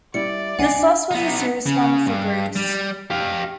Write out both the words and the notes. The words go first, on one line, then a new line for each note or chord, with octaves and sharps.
This loss was a serious one for Greece.
G3 E4 D5 C#7
C2 D4 D#5 F#5 G#5 C7
B3 D#4
C#3
G2
G3
G4 F5